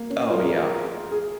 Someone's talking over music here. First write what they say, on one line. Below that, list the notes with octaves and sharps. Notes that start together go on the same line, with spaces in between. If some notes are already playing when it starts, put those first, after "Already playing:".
Oh, yeah.
Already playing: A#3
C#4
F4
A#4
G#4
A#4
G#4